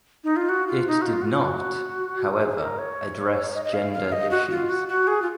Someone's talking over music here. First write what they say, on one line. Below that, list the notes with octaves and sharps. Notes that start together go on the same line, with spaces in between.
It did not, however, address gender issues.
D#4
F4
F#4
F4
D#4
F#4
F4
F#4
F4
F#4
G#4
A#4
C#5
D#5
D#5
F5
F5
D#5
F#4
F4
F#4
F#4
G#4
F4